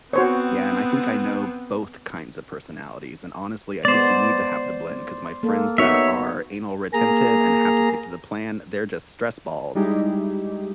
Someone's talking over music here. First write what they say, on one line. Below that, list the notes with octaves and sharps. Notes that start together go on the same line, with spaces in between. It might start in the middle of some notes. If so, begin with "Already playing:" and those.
Yeah, and I think I know both kinds of personalities. And honestly, I think you need to have the blend, 'cause my friends that are anal-retentive and have to stick to the plan, they're just stress balls.
B3 C4 F#4 C5 C#5
G#3 B3 C5 D5
A#3 A4
B3 D#4 F#4 C#5 E5
A#3 G#4 A#5
G3 G#3 D#4 E4 G4 G#4